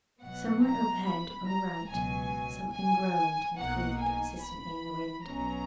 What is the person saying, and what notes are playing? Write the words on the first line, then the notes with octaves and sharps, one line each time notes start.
Somewhere overhead on the right, something groaned and creaked persistently in the wind.
B2 F#3 B3 F#5
A#5
B5
A#5
C#2 B2 F#3 G#5
G#5
B1 B2 A#3 D#4 F#5
G#5
B5
B1 B2 F#3 C#4 A#5